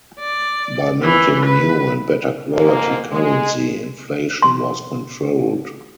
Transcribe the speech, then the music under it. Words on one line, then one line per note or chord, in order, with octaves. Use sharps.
By minting new and better quality currency, inflation was controlled.
D5
E3
B4
F2 G#2 A#3
G#3
C6